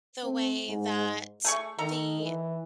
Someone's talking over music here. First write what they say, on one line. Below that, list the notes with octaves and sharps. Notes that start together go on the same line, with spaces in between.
the way that the
C4
G#2
A3 G#4 C#6
D#3 A4 A#5
E3